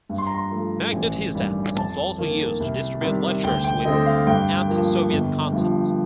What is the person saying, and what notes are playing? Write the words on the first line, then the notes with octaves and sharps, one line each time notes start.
Magnitizdat was also used to distribute lectures with anti-Soviet content.
G2
C6
A#5
C6
F3 A3
A1
G2 D#3 G3
F2 A5
D#3 A#3
C2
C3 D#3 G3
D2 G5
G5
D3 A3 C4 D#5
F5
G2 G5
F3 A#3
G1
G2 F3